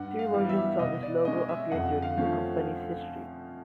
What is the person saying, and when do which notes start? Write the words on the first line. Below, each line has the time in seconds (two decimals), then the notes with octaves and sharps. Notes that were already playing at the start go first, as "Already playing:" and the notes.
Three versions of this logo appeared during the company's history.
Already playing: G2 F#5
0.19 F5
0.33 E3 G3 B3
0.49 E5
0.79 B2 D#5
1.03 D5
1.25 G#3 C#4 D#5
1.49 E5
1.72 F2 F#5
2.02 F5
2.17 D3 F3 A3 C#4